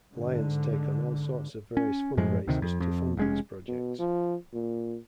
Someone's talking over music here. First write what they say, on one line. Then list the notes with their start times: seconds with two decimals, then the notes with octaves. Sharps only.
Lions take on all sorts of various fundraisers to fund these projects.
0.11 G#2 D3
1.77 C#4
2.17 F#2 A2 F3 G#3
2.47 D2 C3 D#3
2.62 F2
2.80 F2
3.17 F1 G#3 C#4
3.68 B2
3.99 F3
4.53 A#2